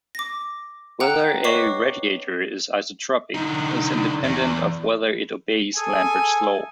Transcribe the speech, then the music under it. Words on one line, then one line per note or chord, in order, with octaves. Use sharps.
Whether a radiator is isotropic is independent of whether it obeys Lambert's law.
D6 A#6
F#5 G5 A#5 F#6
B4 C#5 D#5 C#6 D6 C7
D3 D#4
E2
G#4 A4 G#5